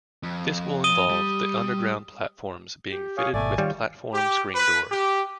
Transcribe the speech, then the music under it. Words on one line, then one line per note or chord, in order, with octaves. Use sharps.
This will involve the underground platforms being fitted with platform screen doors.
F2
D#6 D#7 G7
G3
G4
G#4 C#5 F5
G#1 B2 A3 D5 G#5
D#3 G3 F4 C#5
G4
B4
G4